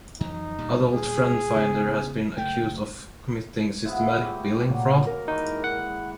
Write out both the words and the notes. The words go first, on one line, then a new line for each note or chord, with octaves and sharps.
Adult FriendFinder has been accused of committing systematic billing fraud.
F2 E3 F#3 D#4
D2 A#2 G3
G#4
C#3 B3
F#1 A3 G5
F3 G#3 B3 E5
A3 G4
A#2 F#3 A#3
A#4
D#3 E3 G#3 D#4
F#5